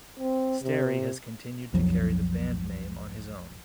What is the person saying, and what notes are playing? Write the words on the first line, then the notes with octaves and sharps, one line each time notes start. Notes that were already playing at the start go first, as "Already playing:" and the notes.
Sterry has continued to carry the band name on his own.
C4
C3
B1 F2 F3 F#3